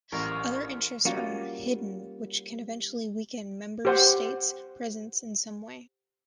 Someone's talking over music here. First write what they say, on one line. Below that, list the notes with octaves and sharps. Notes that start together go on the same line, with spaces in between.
Other interests are hidden which can eventually weaken Member States' presence in some way.
A1 A#2 G3 A#4 C5 C#6
G3 A#3 C#4 F4 F#4
G4 C5 F#5